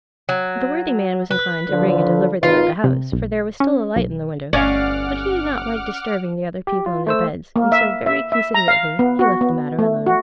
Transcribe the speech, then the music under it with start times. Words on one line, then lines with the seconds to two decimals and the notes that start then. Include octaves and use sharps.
The worthy man was inclined to ring and deliver them at the house, for there was still a light in the window; but he did not like disturbing the other people in their beds, and so very considerately he left the matter alone.
0.29 F#3
1.31 B4
1.69 D3 F3
2.43 G#1 D#4 F4 B4
2.84 C3
3.12 B1
3.60 C#4
3.96 B1
4.53 G1 C#4 D5 F5 F#5 D6 F6
6.67 G4
6.86 F4
7.07 A3 C5 E6
7.56 A#3
7.72 E5
8.06 E5
8.32 E5
8.54 A#5
8.68 F5
8.99 B3
9.19 F#4
9.41 B3
9.79 A3
10.06 F#4